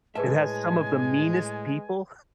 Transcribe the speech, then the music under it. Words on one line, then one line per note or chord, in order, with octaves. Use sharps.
It has some of the meanest people,
A2 G#3 G#4 B4 E5 G#5 A5